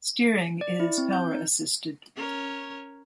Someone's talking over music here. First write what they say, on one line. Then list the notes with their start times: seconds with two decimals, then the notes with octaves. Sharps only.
Steering is power assisted.
0.61 D5
0.80 E4
0.98 C4
1.13 G6
1.34 D#4
2.16 C#4 A#4 C#5